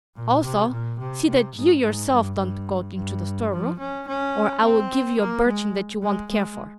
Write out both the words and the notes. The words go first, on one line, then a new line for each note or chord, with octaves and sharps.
Also, see that you yourself don't go into the storeroom, or I will give you a birching that you won't care for.
A#2
C3
A#2
C3
C3
G#2
G#2
G2
G2
G2
F3
C#4
C#4
C4
A#3
G#3
G#3
G#3